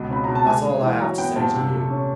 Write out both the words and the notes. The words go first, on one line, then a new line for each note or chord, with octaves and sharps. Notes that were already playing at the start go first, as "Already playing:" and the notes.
That's all I have to say to you.
Already playing: C#2 B2 D#5
C4 B5
B2 A#5
A5
G#3 G#5
G#3
E3
F#3 A#5
B3 G5
A#2 A5
C3
A3
C#4